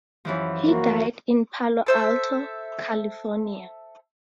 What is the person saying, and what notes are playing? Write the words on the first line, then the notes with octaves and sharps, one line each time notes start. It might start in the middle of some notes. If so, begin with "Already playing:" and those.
He died in Palo Alto, California.
F#2 E3 F3
A#3 F#4
A4 C5 E5